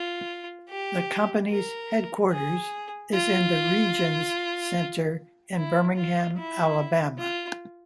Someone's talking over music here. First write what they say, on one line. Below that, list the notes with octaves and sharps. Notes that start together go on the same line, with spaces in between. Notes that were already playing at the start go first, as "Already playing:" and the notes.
The company's headquarters is in the Regions Center in Birmingham, Alabama.
Already playing: F4
G4
A#4
G#4
F4
E4
F4
E4
F4